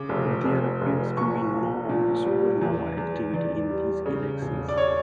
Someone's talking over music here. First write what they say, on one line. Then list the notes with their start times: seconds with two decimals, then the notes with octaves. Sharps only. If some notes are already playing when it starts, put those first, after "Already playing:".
There appears to be no supernova activity in these galaxies.
Already playing: C#3 D6
0.09 F1
0.45 F1
0.81 F1
1.17 A#1 C#6
1.53 A#1
1.89 A#2
2.25 G3
2.61 E2
2.97 E2
3.34 E2 D5
3.70 G3
4.06 C#3
4.42 E1
4.69 D5
4.78 C#5